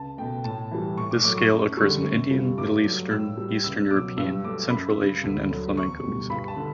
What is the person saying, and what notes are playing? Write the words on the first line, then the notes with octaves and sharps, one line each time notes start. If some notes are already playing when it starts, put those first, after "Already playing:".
This scale occurs in Indian, Middle Eastern, Eastern European, Central Asian and Flamenco music.
Already playing: C#2 A5
B2 A3 G5
A2 A5
E3 G3
A2 C#6
D6
F#3 A3 D6
C#6
F#2
D3 G3 C#6
F#2
C#3 G3
G2 D6
F#3 A3
A2 E6
G3
C#2 E6
B2 F#3 D6
G2 E6
F#3 A3 D6
F#2 B5
C#3 G3
D2
D3 F#3 A3
E2 C#6
B2 G3
G2 B5
A5
D3